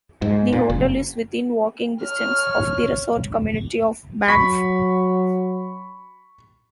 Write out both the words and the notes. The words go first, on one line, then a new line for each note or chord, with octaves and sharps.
The hotel is within walking distance of the resort community of Banff.
G#2
A#2
F#1
C#5 F6
F#3 B5 C#6 B6